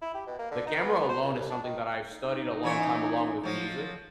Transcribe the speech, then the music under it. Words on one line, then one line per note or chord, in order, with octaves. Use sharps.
The camera alone is something that I've studied a long time along with music.
E4
G4
B2
A#3
D3
D#4
B3
C5
C#2
C2
D4
D#3
D#4
E3 C#4 C#5
F3 F#3